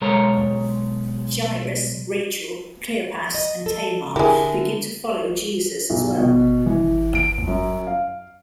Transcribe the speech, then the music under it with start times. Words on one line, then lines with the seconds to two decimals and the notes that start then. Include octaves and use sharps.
Jairus, Rachel, Cleopas, and Tamar begin to follow Jesus' as well.
0.01 B1 G#3 A4 A#4 C#5 A#5
3.35 D#5
3.66 A4
4.16 D3 E4 G4 G#4 A#4
5.90 B1
6.18 B2
6.66 E3
7.15 D7
7.47 F#2
7.87 F5